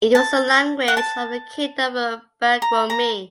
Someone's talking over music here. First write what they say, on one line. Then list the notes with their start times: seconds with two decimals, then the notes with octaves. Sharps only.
It was the language of the Kingdom of Baguirmi.
0.15 A5
0.88 F#5
0.97 A5
2.62 A#5
2.90 A#5